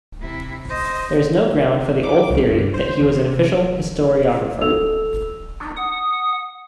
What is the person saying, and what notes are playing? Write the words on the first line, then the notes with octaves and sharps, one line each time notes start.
There is no ground for the old theory that he was an official historiographer.
C3 E4
C5 D#5
D6
C2
G2
C5
D#2
C3
A4 E6 F7
F#5 D#6